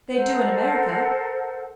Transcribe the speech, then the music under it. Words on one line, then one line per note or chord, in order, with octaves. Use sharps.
"They do in America."
A4 A#4 C5 F#5